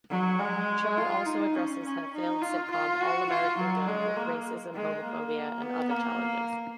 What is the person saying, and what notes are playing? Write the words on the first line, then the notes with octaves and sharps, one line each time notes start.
Cho also addresses her failed sitcom "All American Girl", racism, homophobia and other challenges.
F#3
G#3
F4
D#4
C#4
C#4
D#4
F4
F4
F#4
F4
F#3
G#3
A#3
G#3
A#3
B3
A#3